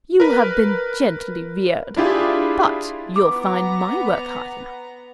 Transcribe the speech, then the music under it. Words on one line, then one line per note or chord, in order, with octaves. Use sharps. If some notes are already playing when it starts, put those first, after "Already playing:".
You have been gently reared, but you'll find my work hard enough.
A#4 B4
D4 E4 F4 G4 G#4
B3 A#5 D6